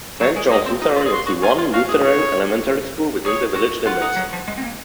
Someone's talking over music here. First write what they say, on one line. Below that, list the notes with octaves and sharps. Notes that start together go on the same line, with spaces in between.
Saint John's Lutheran is the one Lutheran elementary school within the village limits.
F#3 C#5
G#3
A#3 D#5
C4
D#4
F4
G#4
F#4 C6
F#4
F4 G#5
F4
F#4 F5
G#4
C#5
G#4 C#5
F#4
F4 F#5
D#4
F#3
F3
G#3
C4
A#3